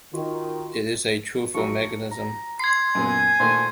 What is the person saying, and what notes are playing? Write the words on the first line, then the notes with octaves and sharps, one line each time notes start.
It is a truthful mechanism.
D#3 F4 F#4
F3 F#3 C#6
A#5
C6 G#6 C7
F#2 A#2 B3 G#5
A#2 D#3 A3 C5